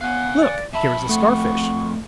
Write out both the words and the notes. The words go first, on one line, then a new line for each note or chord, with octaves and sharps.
Look, here is a Starfish!
B3 F5 G#5 F#6
D5
F2 E5 A5 B5
A3 F#5 C#6